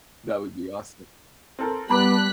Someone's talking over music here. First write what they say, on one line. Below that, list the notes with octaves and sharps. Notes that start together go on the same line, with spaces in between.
That would be awesome.
C4 A4 A#4
G3 B3 A5 B5 D6 F#6 B6